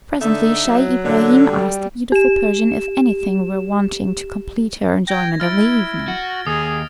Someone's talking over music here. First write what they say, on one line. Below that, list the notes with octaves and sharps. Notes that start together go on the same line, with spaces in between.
Presently Scheih Ibrahim asked the beautiful Persian if anything were wanting to complete her enjoyment of the evening.
D3 D#4 A4 E5
F#3
D3 A4
G3
G4 E7
G5 G#6 A#6
E4 F6 A6 D7
F#4
D#2 G#4 D#6